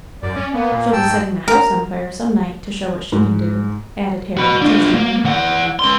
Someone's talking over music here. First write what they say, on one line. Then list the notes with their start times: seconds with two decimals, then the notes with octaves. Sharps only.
"She'll be setting the house on fire some night, to show what she can do," added Harry, teasingly.
0.22 F#2 D5
0.36 C#4
0.54 A#3 B3
0.72 A#2
0.92 G#2 G5 A5 E6
1.48 A#4
3.12 G#2
4.37 F#4 B5
4.62 D4 F4
4.94 A#3
5.25 E3 F#5
5.79 C#4 C6